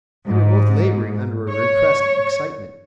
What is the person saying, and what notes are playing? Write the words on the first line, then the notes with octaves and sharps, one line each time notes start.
They were both laboring under a repressed excitement.
G#2
C#5